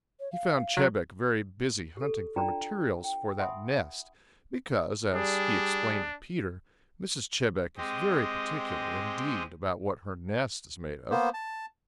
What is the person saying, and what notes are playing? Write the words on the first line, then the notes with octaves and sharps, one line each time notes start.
He found Chebec very busy hunting for materials for that nest, because, as he explained to Peter, Mrs. Chebec is very particular indeed about what her nest is made of.
C#5
F5
F#3
G4 A4
D4 F4 D5 G5 A5 A#5
G5
E5 F#5 G#5 B5 C6 D#6
G3 D4 G#4
G#3 C4 G4 D#5
A#3 B3 C5
A5